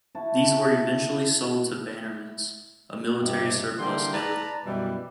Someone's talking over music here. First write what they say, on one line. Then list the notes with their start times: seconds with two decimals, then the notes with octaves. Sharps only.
These were eventually sold to Bannerman's, a military surplus dealer.
0.15 E4 F#4 A5
3.20 G2 C3 D#4 G4
3.78 D3 E3 G3 A#3 G5 C6
4.13 B4 D5 A5 A#5
4.66 F#2 B2 E3 G3